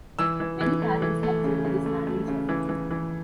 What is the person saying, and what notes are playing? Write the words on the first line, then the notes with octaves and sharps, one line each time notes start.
Many parents object to this annual shuffle.
E3 E6
E3
E3
A3
E3
A3
C#3
C#3
A3
A3
C#3
E3
E3
E3